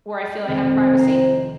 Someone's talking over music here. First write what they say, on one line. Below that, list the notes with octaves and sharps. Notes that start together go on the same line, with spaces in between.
where I feel I have privacy.
F1 B1 D#3 C4
C5 D#5 A#5